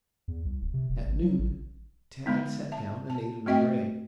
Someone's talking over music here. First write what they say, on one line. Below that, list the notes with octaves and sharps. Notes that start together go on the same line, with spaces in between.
At noon Tad sat down and ate another egg.
E2
C2
D1
C3
D#1
G#1
F#3
A1
D3 G#3 B3 D#4
E5 A5
A5
A3 C4 F#4 D#5 E5 G5